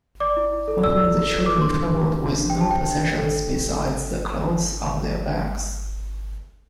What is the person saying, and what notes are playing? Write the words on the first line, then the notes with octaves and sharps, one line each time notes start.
Often the children traveled with no possessions besides the clothes on their backs.
D5 D6
E4
E4
A4
D5 E6
E4
E4
A4
B4 D6
D4 C6
D4
G4
B4
D4
D4
G5
G4
A5
C5 G5
D4
D4
A4